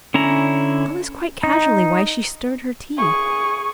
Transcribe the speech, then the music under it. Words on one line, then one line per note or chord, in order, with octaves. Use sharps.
All this quite casually while she stirred her tea.
D3 C#4 E4 A#5
D#4
G#4 C#6